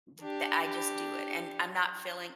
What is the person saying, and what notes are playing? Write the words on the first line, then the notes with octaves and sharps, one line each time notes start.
th the I just do it and I'm not feeling
D4 G4